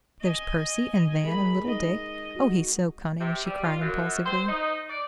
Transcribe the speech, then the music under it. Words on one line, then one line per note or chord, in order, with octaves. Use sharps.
"There's Percy, and Van, and little Dick--oh, he's so cunning!" she cried, impulsively.
D#5 G#5
G#3 G#4 A#4 B5
D#4 D#5
F#4
C3
G3
F4
F#2
C5
D#4
D5